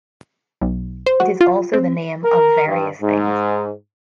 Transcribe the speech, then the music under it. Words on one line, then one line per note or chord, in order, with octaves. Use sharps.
It is also the name of various things.
B1
C5
F#4
F4
C4
A#4
G2
G#2